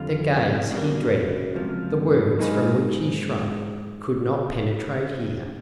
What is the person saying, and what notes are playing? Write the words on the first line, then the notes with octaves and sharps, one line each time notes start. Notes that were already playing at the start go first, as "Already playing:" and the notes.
The gaze he dreaded, the words from which he shrank could not penetrate here.
Already playing: F2 D3 G3 C4 F4
F#2 B2 G3 A#3 D4
C#2 C3 F3
G2
G#2 F#3 A#3 D#4 G#4 B4
G#2